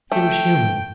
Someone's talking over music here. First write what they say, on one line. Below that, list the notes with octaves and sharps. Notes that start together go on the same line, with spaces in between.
He was human.
A3 G5